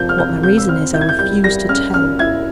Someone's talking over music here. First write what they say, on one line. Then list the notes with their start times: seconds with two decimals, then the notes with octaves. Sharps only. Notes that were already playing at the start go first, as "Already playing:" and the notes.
What my reason is, I refuse to tell.
Already playing: C3 F3 G6
0.09 F6
0.18 C3 G6
0.43 C3 G6
0.58 E6
0.69 C4 F6
0.94 E4 G6
1.01 G#6
1.09 G6
1.19 G3 G6
1.44 G3 A#6
1.69 C#4 F6
1.94 C#4 F6
2.19 E4 G#6